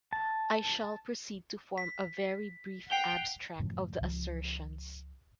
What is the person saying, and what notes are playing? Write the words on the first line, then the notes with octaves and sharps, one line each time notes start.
I shall proceed to form a very brief abstract of the assertions.
A5
B6
F#5 G5 C7 F7 G7
F#2 A2 C#3 F3
C#2 F3